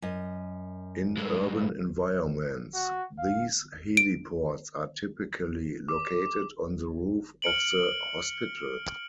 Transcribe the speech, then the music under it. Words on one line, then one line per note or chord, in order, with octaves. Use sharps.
In urban environments, these heliports are typically located on the roof of the hospital.
F#2 D#5
G2 G#3
F#4
F5
D7
D6
F6 C#7 D7 F#7